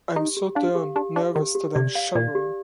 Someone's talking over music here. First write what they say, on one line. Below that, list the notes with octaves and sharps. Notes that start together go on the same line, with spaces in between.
I'm so darn nervous that I'm shivering.
D#4 G4
G4
D4 F5
G4
D4 G4
D4 F5
D#3 G4
G4
C3 D5
F5
A#2 D5
G4